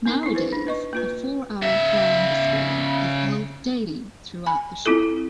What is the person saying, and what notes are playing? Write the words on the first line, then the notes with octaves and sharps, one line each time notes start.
Nowadays, a four-hour flying display is held daily throughout the show.
B3 D#4 A#4
D#4 E4
B4 C5
D4
B4 D#5 C#6
A#3 F4 B4
C#3 E5
G#5 B5
C4 E4 F4 A4